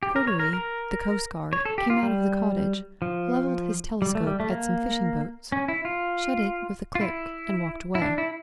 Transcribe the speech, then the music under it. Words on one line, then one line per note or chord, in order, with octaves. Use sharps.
Cordery, the coastguard, came out of the cottage, levelled his telescope at some fishing-boats, shut it with a click and walked away.
G4
A#4
C#5
A#4
A#4
C#5
A4
G4
F4
G3
F3
G3
A3
G3
A3
A#3
C#4
E4
F4
F4
E4
E4
D4
E4